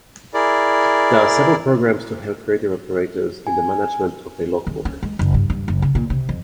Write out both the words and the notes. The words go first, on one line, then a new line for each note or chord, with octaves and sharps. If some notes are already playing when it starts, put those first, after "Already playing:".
There are several programs to help radio operators in the management of their logbook.
E4 G#4 A#4 D5
G#5
D#3
C#4
G#3
F#1
G2
G2
F#1
C#3
A#2
C3
F2